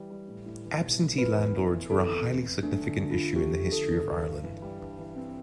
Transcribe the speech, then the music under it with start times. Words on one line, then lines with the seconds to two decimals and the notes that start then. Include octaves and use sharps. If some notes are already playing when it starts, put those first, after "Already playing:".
Absentee landlords were a highly significant issue in the history of Ireland.
Already playing: E3 G3
0.10 G3
0.28 A2
0.46 A2
0.65 E3
0.82 B1
1.01 A2
1.18 E3 B4
1.37 E2
1.55 E3
1.73 E2
1.90 C3 A4
2.09 E2
2.28 E2
2.45 E2
2.63 A3 D4
2.81 D3
2.87 D4
3.00 D3
3.11 F4
3.17 D3
3.35 A3 G4
3.54 F3
3.71 D3 A4
3.90 D3
4.08 G2
4.26 G2
4.43 E3
4.62 G3
4.80 G2
4.99 E3
5.16 C4